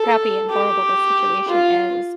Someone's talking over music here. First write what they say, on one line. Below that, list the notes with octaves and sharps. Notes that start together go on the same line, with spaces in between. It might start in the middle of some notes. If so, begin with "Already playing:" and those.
crappy and horrible this situation is,
Already playing: A4
G4
F4